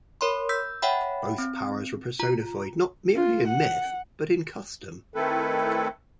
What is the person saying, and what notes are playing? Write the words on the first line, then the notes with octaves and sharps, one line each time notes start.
Both powers were personified not merely in myth but in custom.
A#4 C#5 B5 C6
E6 G6 B6
C#5 E5 F#5 G5 B5
C4
F4 A#5
F4
F#5
D#3 A3 C4 E4 A4 B4